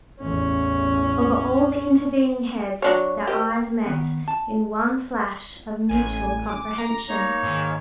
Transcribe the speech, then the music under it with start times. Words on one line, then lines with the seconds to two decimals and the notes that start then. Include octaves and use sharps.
Over all the intervening heads their eyes met in one flash of mutual comprehension!
0.20 A1 E2 C#4
2.82 F#3 D4 C#5
3.27 G4 A#4 C5 D#5
3.86 D#3 B3
4.28 A5
5.89 A1 G#5
6.49 D6
6.78 A#5
7.09 A#3 D#4 C#5
7.43 G#2 D#3